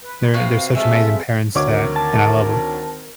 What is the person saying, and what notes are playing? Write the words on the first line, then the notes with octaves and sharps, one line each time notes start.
they're they're such amazing parents that and I love them.
B4
C3 B3 F#4 F5
G#3 A3 F4 E5
D2 D#3 C4 A#4 C#5 D6
A5